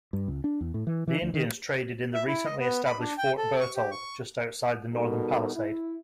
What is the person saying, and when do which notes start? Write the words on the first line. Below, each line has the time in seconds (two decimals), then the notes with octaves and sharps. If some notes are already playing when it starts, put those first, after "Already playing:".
The Indians traded in the recently established Fort Berthold just outside the northern palisade.
0.13 G2
0.28 C#2
0.44 D4
0.61 E2
0.74 A2
0.87 E3
1.08 E3
1.22 D2
1.34 D#3
2.14 E5
2.27 E4
2.45 D#5
2.59 B3
2.85 B5
2.99 D4
3.18 G5
3.37 A4
3.60 C#6
3.76 G4
3.91 C#6
4.92 B2 G3 D#4 F#4 A4 A#4
5.55 E4